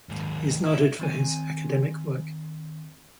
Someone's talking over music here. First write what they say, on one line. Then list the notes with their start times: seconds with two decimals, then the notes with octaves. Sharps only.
He is noted for his academic work.
0.09 D#2 G#2
0.65 E4
0.99 D#3 C4 G#5